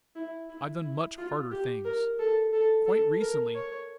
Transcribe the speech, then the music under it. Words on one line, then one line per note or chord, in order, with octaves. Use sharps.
I've done much harder things. Quite recently.
E4
E4
E4
F4
G4
A#4
A4
A4
A4
A#4
C#5